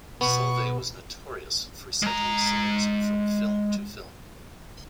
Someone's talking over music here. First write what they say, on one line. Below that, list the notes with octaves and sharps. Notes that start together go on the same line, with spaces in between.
Solvay was notorious for recycling scenes from film to film.
B2 B3 C#6
G#3 A#5